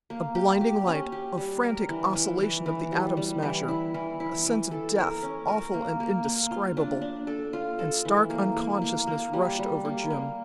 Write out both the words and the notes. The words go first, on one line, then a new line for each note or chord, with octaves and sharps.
A blinding light, a frantic oscillation of the Atom Smasher, a sense of death, awful and indescribable--and stark unconsciousness rushed over Jim.
A#3
G4
G4
C#4
G4
G3
A#4
E3
E3
E3
E3
G3
G3
E3
E4
E3
E4
E3
A4
A#4
C#4
A#4
A#3
A#3
A#3
F4
D4
D4
A4
F4
A4
E3
A#3
A#3
A#3
A#3
G3
G3
A#3
A#3